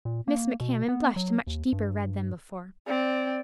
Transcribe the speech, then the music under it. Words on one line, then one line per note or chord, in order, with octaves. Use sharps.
Miss Macmahon blushed a much deeper red than before.
A#2
A#3
B2
B3
F#3
D#2
G2
C4 D5